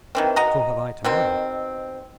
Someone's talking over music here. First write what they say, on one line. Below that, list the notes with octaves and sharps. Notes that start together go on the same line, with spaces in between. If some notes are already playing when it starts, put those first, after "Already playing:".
"So have I to mine!"
D#3 E3 C4
F#4 D#5 A#5
B2 D#3 C4